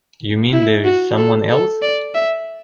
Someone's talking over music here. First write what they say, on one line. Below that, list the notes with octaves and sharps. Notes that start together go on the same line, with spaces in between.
You mean there's someone else?
E4
F#4
A4
A4
D5
E5